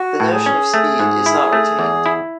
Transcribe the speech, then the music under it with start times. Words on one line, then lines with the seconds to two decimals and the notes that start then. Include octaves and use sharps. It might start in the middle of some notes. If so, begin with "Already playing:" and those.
The notion of speed is not retained.
Already playing: F#4
0.20 A2
0.33 G#4
0.46 C#4
0.74 A3
0.99 G#2
1.26 E4
1.53 A3
1.79 E2
2.06 E4